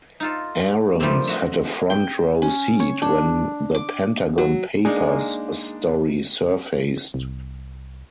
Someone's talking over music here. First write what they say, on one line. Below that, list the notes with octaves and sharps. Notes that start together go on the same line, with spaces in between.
Aarons had a front-row seat when the "Pentagon Papers" story surfaced.
D#4 F4 A4
F3 G3 A3 A#3 C4 D4
A3 F#4 D#5
G5
C#4
C#5
D4
D6
F#3
G#3 A#3 D4 D#4 G#4
C2